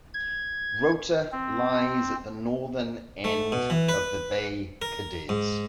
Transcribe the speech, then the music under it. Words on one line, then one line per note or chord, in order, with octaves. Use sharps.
Rota lies at the northern end of the bay Cádiz.
G#6
C4
A3
B2
E3
B4
A#4
G#2